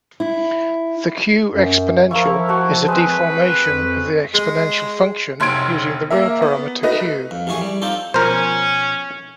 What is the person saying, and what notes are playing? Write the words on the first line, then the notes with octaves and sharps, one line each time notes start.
The "q"-exponential is a deformation of the exponential function using the real parameter "q".
E4
F#2
F3 E4 A#4 F5 C#6
A3 F#4 C#6
G#3 C4 B4
F2
G#3
F1 B1 C6 G#6 D7
A#3 A#4 E5
B3
A3 D#4 F#4 B4 D#5
F2
A1 F#2 E3 G#4 C#6
G3
C4 D#4 F4 G4 A4
B2 F3 C#4 A#4 C5